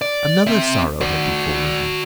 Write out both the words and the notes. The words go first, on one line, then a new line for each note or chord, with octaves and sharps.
Another sorrow had befallen him.
D5
C4 E5
F#4 D5